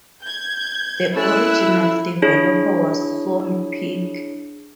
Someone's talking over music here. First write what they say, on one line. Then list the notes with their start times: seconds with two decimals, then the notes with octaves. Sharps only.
The original developer was Saul Pick.
0.22 G6 G#6
1.15 C#4 E4 A4 G#5 E6 F#6
2.22 D4 E4 G#4 C#5